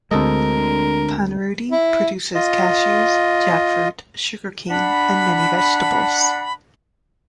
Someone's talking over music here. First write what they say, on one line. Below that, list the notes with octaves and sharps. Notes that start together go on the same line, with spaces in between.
Panruti produces cashews, jackfruit, sugar cane and many vegetables.
D2 G#3 C4 A4 A#4 D#5
D3
E4
F4 D#5
D4 F#5 B5